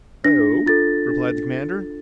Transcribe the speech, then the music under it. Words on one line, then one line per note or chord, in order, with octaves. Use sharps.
"Oh?" replied the commander.
D4 A#6
F4 A4 A6
D4